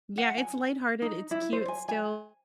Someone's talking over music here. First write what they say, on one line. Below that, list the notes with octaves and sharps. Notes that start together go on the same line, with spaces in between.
Yeah, it's light-hearted, it's cute still,
F#5
G#5
D#4
E4
C5
G#5
G#5